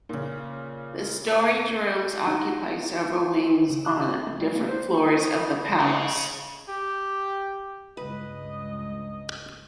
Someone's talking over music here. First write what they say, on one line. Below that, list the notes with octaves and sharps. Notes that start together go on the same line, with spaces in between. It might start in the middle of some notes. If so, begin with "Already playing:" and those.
The storage rooms occupy several wings on different floors of the Palace.
A#2 C#3
D#4 F#5
C#3
F#6
C4
A3
G3
A#3
C5
C#6
D#7
D#6
B5
C#3
G4
C#2 G2 B4 D#5